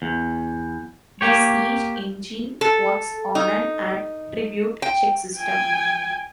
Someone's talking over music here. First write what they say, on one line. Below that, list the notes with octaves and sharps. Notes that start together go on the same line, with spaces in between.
The Siege Engine works on an attribute check system.
E2
A#3 G4 C#5
A4
D#4
G5
G5 G#5